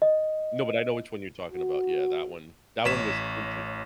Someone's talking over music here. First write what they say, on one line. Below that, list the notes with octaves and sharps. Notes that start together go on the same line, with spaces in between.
no, but I know which one you're talking about. Yeah. That one that one was interesting.
D#5
F#4
A1 C#5 B6 E7